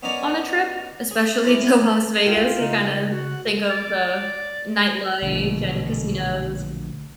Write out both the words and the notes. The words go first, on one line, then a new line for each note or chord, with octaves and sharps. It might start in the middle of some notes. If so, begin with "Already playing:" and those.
on a trip, especially to Las Vegas. You, kind of, think of the nightlife and casinos.
B3 C#4 D#4 A#4 D5 G#5
G#4
E4 C5 G#5 A#5 D6
E4 F4 A#4 G5
C#3 D#4
F#4 F#5
D5
A#1 B2 D3 E3 A3